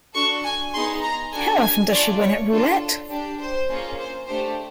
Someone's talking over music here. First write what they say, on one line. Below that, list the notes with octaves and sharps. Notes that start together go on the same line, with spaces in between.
How often does she win at roulette?
D4 F#4 A4 C#6
G#5
B3 D#4 G#4 C6
A#5
D4 F#4 A4 G#5
G#5
A3 D4 F4 D5
C#5
D4 F4 A4
D4 G4
C5
A#3 C#4 F4 G#4
C5
A3 D4 G4 C5